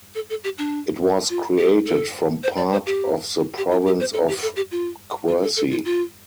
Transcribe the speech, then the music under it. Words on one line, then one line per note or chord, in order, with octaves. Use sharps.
It was created from part of the province of Quercy.
A4
A4
G4
D4
F4
G4
A4
C5
D5
C5
G4
G4
F4
G4
C5
A4
G4
A4
G4
F4
F4
A4
A4
F4
F4